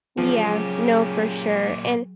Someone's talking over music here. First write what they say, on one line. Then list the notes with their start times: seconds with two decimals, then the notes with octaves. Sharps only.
Yeah. No, for sure. And
0.18 A#2 C#3 F3 F#3 G#3 G4